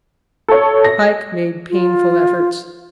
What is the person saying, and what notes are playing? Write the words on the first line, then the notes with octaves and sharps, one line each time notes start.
Pike made painful efforts.
A4 C#5
A#6
F4